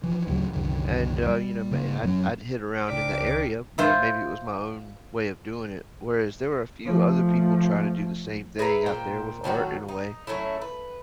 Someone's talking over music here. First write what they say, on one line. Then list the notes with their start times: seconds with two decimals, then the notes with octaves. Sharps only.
and, uh, you know, my I'd I'd hit around in the area, you know, maybe it was my own way of doing it. Whereas there were a few other people trying to do the same thing out there with art in a way,
0.03 E3 F3
0.27 A1 D2 C#3 F#3
0.53 C2 F#2 D3 D#3
1.28 G3
1.71 C#3 A#3
2.03 F#2 F#3 C#4
2.89 C#2 C4 D4 A#4 D5 D6 B6
3.78 E4 F4 C5
6.84 F3 A3
8.59 G#4 B4 E5 A#5
8.86 A#2 C5 G5
9.44 A2 D#3 F#3 F#4
9.88 D#4
10.27 F#3 A3 C#4 E4
10.62 B4